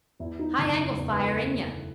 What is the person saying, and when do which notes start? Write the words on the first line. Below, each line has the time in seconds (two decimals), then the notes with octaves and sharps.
High angle fire, inyah!
0.20 E2 E4
0.39 D#4
0.59 F#1
0.78 E4
0.97 E2
1.12 B4
1.23 A4